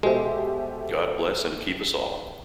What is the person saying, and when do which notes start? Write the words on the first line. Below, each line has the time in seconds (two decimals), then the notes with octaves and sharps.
God bless and keep us all!
0.03 B2 G#3 G4 A4 C5 E5